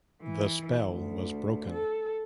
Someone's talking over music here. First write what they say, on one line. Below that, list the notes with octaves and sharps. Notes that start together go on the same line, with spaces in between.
The spell was broken.
E3
D2
A4